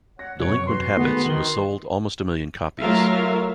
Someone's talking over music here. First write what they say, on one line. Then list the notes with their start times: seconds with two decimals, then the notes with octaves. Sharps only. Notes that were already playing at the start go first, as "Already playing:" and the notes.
"Delinquent Habits" was sold almost a million copies.
0.19 C#5 F#5 A#6
0.40 F1 F#2 B4 C#5 D7
0.67 F#4 B4 C6
0.97 D#3 G#3 A3 B3
1.26 D#3 F#7 G7
2.80 F#3 A3 F4 A#4 E5 F5